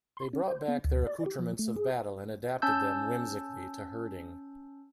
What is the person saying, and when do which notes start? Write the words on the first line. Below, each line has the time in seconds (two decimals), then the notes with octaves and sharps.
They brought back their accoutrements of battle and adapted them, whimsically, to herding.
0.17 C6
0.33 C#4
0.48 C5
0.68 B3
0.84 D2
1.07 D5
1.26 G4
1.39 F3
1.59 A3
1.76 G#4
2.62 C#4 A5 E6 G6